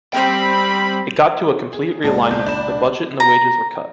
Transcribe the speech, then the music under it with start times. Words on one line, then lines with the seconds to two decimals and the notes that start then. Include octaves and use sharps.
It got to a complete realignment, the budget and the wages were cut.
0.13 G3 C4 G5 B5
1.73 G#4
2.04 C#2 A#2 D5 A5
2.31 B2 G6
2.47 D4 B5 E7
3.20 A#5